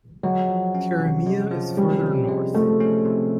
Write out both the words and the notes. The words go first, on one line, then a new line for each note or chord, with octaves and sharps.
Karamea is further north.
F#3 G#3
F3
C#4
C3
G#3
F3
G3 C#4
C3
G#3
F3 A3
C#4
C3